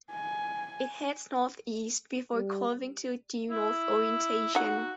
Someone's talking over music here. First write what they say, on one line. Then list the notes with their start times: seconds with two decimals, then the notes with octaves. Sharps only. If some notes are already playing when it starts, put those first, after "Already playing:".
It heads northeast, before curving to a due-north orientation.
0.12 G#5
2.34 G3
3.51 E4
4.55 D#4 F#4 F#5